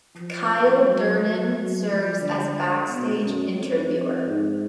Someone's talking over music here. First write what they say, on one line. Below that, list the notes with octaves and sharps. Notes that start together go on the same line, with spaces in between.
Kyle Durden serves as backstage interviewer.
F3
F#3
F#3
F#3
F3
D3
B2
F#2
F2
F2
G#2